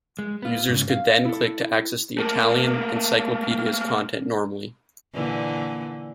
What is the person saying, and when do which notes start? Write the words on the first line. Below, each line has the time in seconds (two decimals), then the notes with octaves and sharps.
Users could then click to access the Italian encyclopedia's content normally.
0.19 G#3
0.42 B3 F4
0.69 G#2 C#3
0.90 F5
1.25 E4 A4
2.18 A3 A#3
5.14 A#2 D3 E3